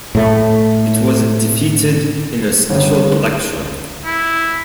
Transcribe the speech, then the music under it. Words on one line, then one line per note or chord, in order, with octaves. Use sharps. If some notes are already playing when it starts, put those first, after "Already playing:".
It was defeated in a special election.
A2 A3
G1
E4